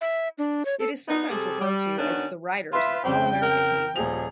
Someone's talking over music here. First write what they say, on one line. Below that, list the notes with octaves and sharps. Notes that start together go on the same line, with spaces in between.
It is sometimes referred to as the "Writers' All-America Team".
E5
D4
C#5
A4
B3 D4 D#4
C3 G3 G#4 A4
G3
D#3 B3 C#4 D4 F#4
F4 B4 E5 C6
F2 C#3 C4 G5
A#4
D#1 F3 G#4 F7